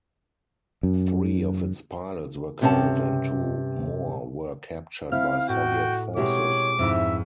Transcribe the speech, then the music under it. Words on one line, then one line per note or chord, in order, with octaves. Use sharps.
Three of its pilots were killed and two more were captured by Soviet forces.
F#2
G2 C3 C#4 B4 F#5 A5
C4 E4 F5 F6
A2 F#4 G5
B2 G#3 C4 E4 G4 C#5 D6
F2 G#2 C4 E4 E5